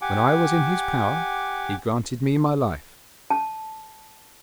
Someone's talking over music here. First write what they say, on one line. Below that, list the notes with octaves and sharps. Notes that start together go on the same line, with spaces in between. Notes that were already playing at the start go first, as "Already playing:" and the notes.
When I was in his power he granted me my life.
G4 F#5 G#5 D6
A5